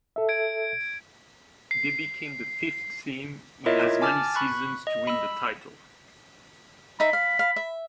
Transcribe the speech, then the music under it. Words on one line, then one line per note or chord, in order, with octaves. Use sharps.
They became the fifth team in as many seasons to win the title.
A4 E5
G#6 D7
C7
E4 F4 A#4 C#5 D#5 E5
G#5 A5 D6 F6 A6
B5 C#6 F#6
D#5
B5 E6
D#4 E5 B5
F5
F5
E5